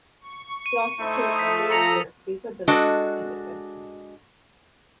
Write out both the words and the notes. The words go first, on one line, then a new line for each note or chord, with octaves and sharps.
He also serves as Director of Capabilities and Assessments.
C#6
D#7
A3 D#4 E4 C5
F3 A4 D#6 B6
A#5 E6 C#7 F7
G#3 D4 F#4 A4 D#5